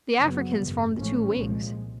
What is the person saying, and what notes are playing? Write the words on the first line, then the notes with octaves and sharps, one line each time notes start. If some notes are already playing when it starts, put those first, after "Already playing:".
The Africans formed the two wings.
F#2 C#3 F#3 B3
G#1 F#2 C#3
A1 G#2 F3 A3 C#4
C2 A#2 F3 G#3